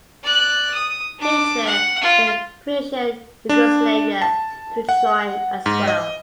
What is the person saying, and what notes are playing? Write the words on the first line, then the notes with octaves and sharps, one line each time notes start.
Hitler then pressured Yugoslavia to join as well.
D5 F#6
D#6
D4 D6
F#5
F4
D4
A5
F#5
G#2
D#5